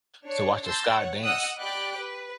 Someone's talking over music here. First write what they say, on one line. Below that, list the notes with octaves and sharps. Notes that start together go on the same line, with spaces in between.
so watch the sky dance,
D4 C#5
A5 C6 E6 G6 A6 A#6
C#5 F#5
D#5 F#5 D#6 E6 F#6
G4 D5 G5 B5 D6 F#6
B4